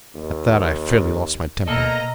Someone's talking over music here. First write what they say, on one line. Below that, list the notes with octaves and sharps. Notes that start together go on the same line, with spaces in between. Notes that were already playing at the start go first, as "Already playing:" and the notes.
At that I fairly lost my temper.
D#2
B2 A#3 A4 D#5 A#5